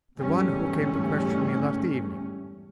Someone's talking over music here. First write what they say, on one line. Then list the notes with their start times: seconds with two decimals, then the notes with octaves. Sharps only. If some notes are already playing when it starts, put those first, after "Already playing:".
"The one who came to question me last evening."
0.17 G1 E2 G#2 G3 A3 C#4